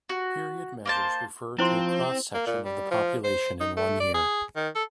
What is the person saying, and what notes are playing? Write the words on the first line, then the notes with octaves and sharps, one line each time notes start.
"Period" measures refer to a cross-section of the population in one year.
F#4
A#3 C5 A5
F3 C4 E4 C5 C6
A#3
A#2
G3
F3
C5
D#4
A3
D5
G#4
D#3
A4